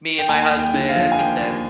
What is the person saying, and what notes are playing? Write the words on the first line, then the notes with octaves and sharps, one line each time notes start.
me and my husband, and then,
G5
D#2 G#5
D#2
G5
D3
F5
F3
G#5
D#2 G5
D#2